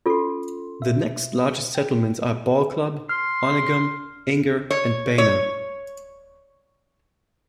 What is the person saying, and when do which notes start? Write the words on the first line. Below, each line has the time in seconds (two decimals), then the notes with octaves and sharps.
The next largest settlements are Ball Club, Onigum, Inger, and Bena.
0.06 C#4 F4 A4 C6
0.82 B2 E5
1.75 G5
3.09 C6 F6
4.70 C#5
5.18 C#5